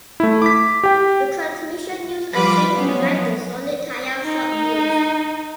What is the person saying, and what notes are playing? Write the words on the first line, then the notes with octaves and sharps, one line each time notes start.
The transmission used a chain to drive the solid tyre shod wheels.
A3 E4
D6 B6
G4 G5
F3 G3 F4 B4 B5 D6
F3 F#3 B3 C#4
D#4